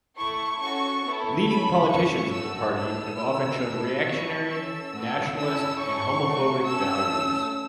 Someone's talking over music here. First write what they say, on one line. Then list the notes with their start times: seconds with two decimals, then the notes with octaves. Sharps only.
Leading politicians of the party have often shown reactionary, nationalist, and homophobic values.
0.17 A3 E4 A4 C#6
0.61 C#4 F#4 A4 C#6
1.05 B3 E4 A4
1.47 C#4 A4 B5
1.91 C#4 E4 A4 C#6
2.34 A3 F#4 A4 E6
2.77 B3 E4 A4 E6
3.21 B3 A4
3.64 A3 E4 A4
4.07 B3 E4 A4 C#6
4.50 C#4 A4 E6
4.94 B3 F#4 A4
5.37 C#4 E4 A4 E6
5.80 C#4 E4 A4 C#6
6.24 A3 F#4 A4
6.67 C#4 A4 E6
7.10 A3 C#4 A4